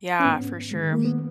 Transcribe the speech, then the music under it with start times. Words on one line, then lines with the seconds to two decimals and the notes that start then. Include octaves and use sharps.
Yeah, for sure.
0.20 C#4
0.25 G#2 B3
0.71 D#3 G#3
0.93 A#3
1.05 B3